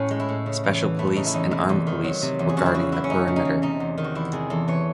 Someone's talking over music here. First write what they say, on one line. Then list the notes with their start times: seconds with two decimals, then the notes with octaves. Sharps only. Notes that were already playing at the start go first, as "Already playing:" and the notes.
Special police and armed police were guarding the perimeter.
Already playing: A2 C#4
0.11 G#3
0.20 E4
0.29 A2
0.46 C#3
0.64 E2
0.81 E3
0.99 A3 E4
1.16 C#3 D#4
1.26 E4
1.33 E2 D#4
1.51 C3 E4
1.69 E2
1.87 D#3
2.04 F#3
2.22 C3
2.39 E2
2.49 G#4
2.57 C#3 F#4
2.66 E4
2.74 E2 F#4
2.92 F#3 E4
3.04 C#4
3.10 A3 D#4
3.28 C#3
3.36 D#4
3.45 E2
3.62 C3 D#4
3.80 E2
3.98 D#3
4.04 F#4
4.15 E2 E4
4.32 C3 G#4
4.50 E2 A4
4.68 E3 C#5